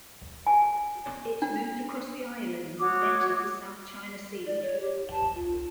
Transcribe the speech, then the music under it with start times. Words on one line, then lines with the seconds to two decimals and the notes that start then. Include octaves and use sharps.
It moved across the islands and entered the South China Sea.
0.47 G#5
1.42 D4
2.79 F#4 C#5 D6 D#6
4.46 D5
4.62 C#5
4.80 G4
5.11 A5
5.35 F4